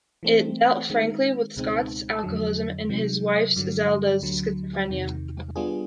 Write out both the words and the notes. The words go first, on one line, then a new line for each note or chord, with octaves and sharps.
It dealt frankly with Scott's alcoholism and his wife Zelda's schizophrenia.
E3 A3 C4
D#3 G#3 C4
C#2 B2 G#3 C4 D#4
F2 D3 F#3
C3 D#3 F#3
G2 D3 F#3
D2 D3 F#3
E2 C3 D#3
G3 B3 D4 F4 G#4